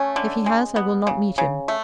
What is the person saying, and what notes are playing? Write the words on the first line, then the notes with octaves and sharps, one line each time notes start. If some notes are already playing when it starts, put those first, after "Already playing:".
If he has, I will not meet him.
Already playing: A3 C#4
D3
G#3
B3
C#3
C#3
A3